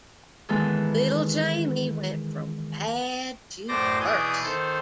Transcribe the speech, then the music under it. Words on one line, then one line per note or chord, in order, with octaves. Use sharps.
Little Jamie went from bad to worse.
D#3 E3 G#3 B3 A4
F#2 A2 C5 D5 D6 A#6
B2 E3 G#4 D5 D#6 G6
D#3 A4 C5